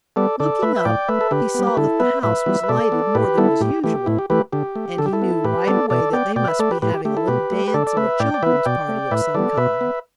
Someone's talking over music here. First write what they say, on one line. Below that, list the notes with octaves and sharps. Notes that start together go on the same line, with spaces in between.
Looking up, he saw that the house was lighted more than was usual, and he knew right away that they must be having a little dance or a children's party of some kind.
G3 B3 A4 D5
D3 A4 D5
A3 B4 E5
E5
A2 D5 G5
A3 B4 E5
A4
D3 G4 B4
G3 B3
B4
D3 E4 A4
B3 B4 E5
A2 B4 E5
E3 G3 B3
B4
B2 A4 D5
B3
A2 G4 B4
G3 B3 E4 A4
A2 G4
E3 A3 G4
A2 E4
G4
E3 A3 G4 B4
D3 G4
A3
D3 A4
G4
E4 A4
B3
A2 G4 B4
G3 B3 A4 D5
B2 A4 D5
B3 D5 G5
B2 D5 G5
B4 E5
A3 A4 D5
G4 B4
A2 G4 B4
G4
A3 G4
E4 A4
B2 G4 B4
A3
B4
D3 A4 D5
D5
A3 B4 E5
A2 D5 G5
D5
E3 B3 B4 E5
B2 D5 G5
A3
A2 B4 E5
E3 G3 B3 A4 D5
B2 B4 E5
B3